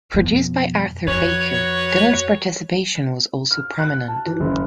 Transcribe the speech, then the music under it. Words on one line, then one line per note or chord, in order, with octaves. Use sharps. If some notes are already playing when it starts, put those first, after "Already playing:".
Produced by Arthur Baker, Dylan's participation was also prominent.
F2 B2
F2 F#4 B4 C#5
F6
F#6
A5
E3
F#1